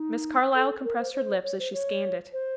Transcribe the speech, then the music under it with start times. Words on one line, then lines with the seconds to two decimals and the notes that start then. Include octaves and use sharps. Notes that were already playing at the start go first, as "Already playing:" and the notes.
Miss Carlyle compressed her lips as she scanned it.
Already playing: D#4
0.55 A4
0.84 A#4
0.99 C5
1.13 C5
1.43 C#5
1.59 C5
1.73 C#5
2.33 C5